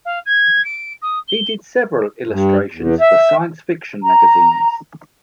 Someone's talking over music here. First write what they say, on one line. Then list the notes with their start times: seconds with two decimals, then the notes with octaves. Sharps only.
He did several illustrations for science fiction magazines.
0.05 F5
0.26 G#6
0.64 D7
1.02 D#6
1.28 G7
2.27 G2
2.74 E2
3.01 E5
4.03 A#5